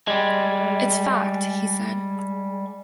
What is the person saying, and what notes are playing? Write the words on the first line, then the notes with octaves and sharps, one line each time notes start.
"It's fact," he said.
G3 G#3